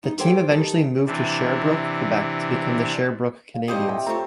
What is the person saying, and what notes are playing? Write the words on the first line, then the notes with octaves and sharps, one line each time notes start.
The team eventually moved to Sherbrooke, Quebec to become the Sherbrooke Canadiens.
D#4
G4 A4 C5 C#5 G5
D#3 G4 A4
C3 E3 D4
F5
A2 G3 C4 G4 D#5 D#6
E5 G5
A3 C4 F4 C5 C#5 A#5